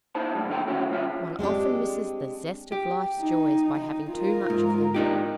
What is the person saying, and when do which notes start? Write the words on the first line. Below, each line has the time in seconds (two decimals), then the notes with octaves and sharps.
One often misses the zest of life's joys by having too much of them.
0.15 D#4 E4 C5 A5
0.35 F#2 A2 G3
0.50 D#2 D#4 A4 G5 C6
0.67 D2 D#3 C#4 E4 F#4 C#5
0.90 C3 G3 F4 E5
1.39 G#3 C4 D4 G4
2.72 G4
3.21 D#4
3.79 D#4
4.11 F4 A#4
4.50 G#2
4.94 D4 D#4 G4